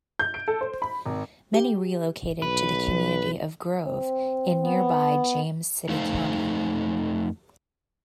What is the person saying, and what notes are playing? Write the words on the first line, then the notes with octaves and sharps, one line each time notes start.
Many relocated to the community of Grove in nearby James City County.
G6
D7
A4
C5
B5
G#1
G4
B1 B4
C4
B3
F2 A3 D#4 A4 C5 F5